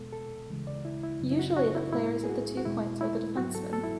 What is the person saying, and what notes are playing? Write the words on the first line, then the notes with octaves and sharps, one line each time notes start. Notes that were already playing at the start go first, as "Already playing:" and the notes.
Usually the players at the two points are the defencemen.
Already playing: E2 B2 G#3 B3 A4
A4
D2 C#3 E3 G#3
D5
E4
E4
F#2 C#3 F#3
E4
F#4
F#4
E4
A2 G#3 B3 E4
G#4
F#4
F#4
E2 B2 G#3 E4
E4
G#2 F#3 B3 F#4
A4
A4
E4